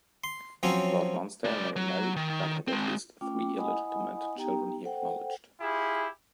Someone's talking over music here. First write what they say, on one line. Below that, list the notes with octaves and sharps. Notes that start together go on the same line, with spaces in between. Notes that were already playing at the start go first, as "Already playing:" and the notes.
Lord Lonsdale never married, but had at least three illegitimate children he acknowledged.
C6
F3 F#3 C4 C#4
G#3 D5
F#3
D#3
G#3 C4
A3 C#4 F4 G5 D6
E4 D#5 F#5 G#5 B5 D#6
B3 D#4 G4 G5 A#5
A4 C5 F#5 G5
E4 F4 G4 G#4 B5